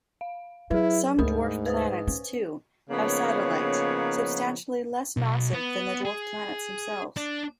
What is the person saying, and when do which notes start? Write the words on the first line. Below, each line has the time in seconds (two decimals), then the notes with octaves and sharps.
Some dwarf planets, too, have satellites substantially less massive than the dwarf planets themselves.
0.21 F5
0.71 F#3 E4 G#4 B4
1.19 D2 G#2 A#4 B5 D#6
1.66 B4 C5 D#6
2.07 C#4
2.90 C#3 F3 A#3 B3 D#4 C#5
5.17 B1
5.53 B3
6.05 G#4
7.17 D4